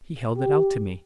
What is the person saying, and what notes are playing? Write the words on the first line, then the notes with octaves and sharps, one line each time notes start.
He held it out to me.
G4